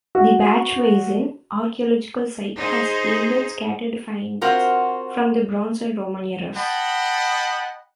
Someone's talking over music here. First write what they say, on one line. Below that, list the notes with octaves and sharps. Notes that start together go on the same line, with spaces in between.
The "Bachwiesen" archaeological site has yielded scattered finds from the Bronze and Roman eras.
F#4
D#4 G#4 C5
C4 F4 F#4 A#4 C5
D#5 F#5 G5 A5 B5